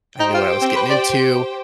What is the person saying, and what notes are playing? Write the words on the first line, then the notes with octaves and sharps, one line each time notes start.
I knew what I was getting into.
D#4 G4 C5 G5
F4
C4
B4
D5